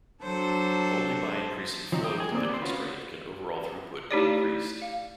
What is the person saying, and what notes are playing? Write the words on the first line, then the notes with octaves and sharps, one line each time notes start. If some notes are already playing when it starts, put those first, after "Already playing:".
Only by increasing flow through the constraint can overall throughput be increased.
F#3 D4 A4 C5
F3 F#3 C4 D#4
G5 D#6
G#4
A#3 C4 D5
B3 C5
C#4 F4 F#4 B4
A3 D#4 E4 G4 C#5 D5
F5